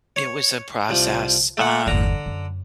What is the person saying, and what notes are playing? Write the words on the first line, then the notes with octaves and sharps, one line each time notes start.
It was a process, um
C#5
C2 F3
A3 F#5
G1 E2 D3 A#5
F#2